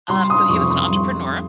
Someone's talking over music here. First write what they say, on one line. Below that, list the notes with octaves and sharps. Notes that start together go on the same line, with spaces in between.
Um, so he was an entrepreneur
G3 C6
D#6
F2 C#6
C6
G3